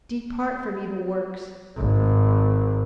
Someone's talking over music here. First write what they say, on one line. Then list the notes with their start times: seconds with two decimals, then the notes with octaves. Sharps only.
Depart from evil works.
1.77 G#1